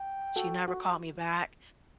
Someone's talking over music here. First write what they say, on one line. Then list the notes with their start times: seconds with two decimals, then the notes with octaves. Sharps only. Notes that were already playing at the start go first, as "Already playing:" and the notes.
She never called me back.
Already playing: G5
0.36 F#4 A4
0.68 F#4